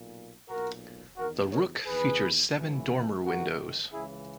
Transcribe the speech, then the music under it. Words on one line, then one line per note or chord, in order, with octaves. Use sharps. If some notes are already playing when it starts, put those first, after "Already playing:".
The rook features seven dormer windows.
Already playing: B1 A#2
B1 A#2 F#4 A#4
E2 D#3 F#4 A#4
A#4 C#5
E2 D#3 G#4 B4
G#1 F#2 C#3 E3
F#1 E2 D#3 F#4 A#4
C#2 C#3 E3 E4 G#4